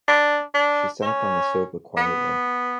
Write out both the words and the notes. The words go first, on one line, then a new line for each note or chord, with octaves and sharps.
She sat on the sofa quietly.
D4
D4
C#4
B3